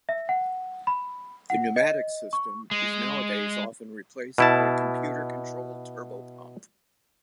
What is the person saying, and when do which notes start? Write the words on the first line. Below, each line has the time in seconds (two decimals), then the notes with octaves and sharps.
The pneumatic system is nowadays often replaced by a computer-controlled turbopump.
0.09 E5
0.29 F#5
0.87 B5
1.50 F#5
1.76 D#5
2.33 C#6
2.71 G#3
4.38 B2 E4 A5